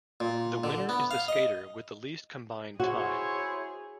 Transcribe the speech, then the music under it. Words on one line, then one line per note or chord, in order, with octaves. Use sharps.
The winner is the skater with the least combined time.
A#2
D3
B3
F5
D#5
E4 F#4 G#4 C5 C#5